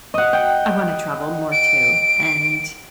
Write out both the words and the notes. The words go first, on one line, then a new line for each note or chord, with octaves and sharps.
I wanna travel more, too, and
D#5 F#5
G5
D7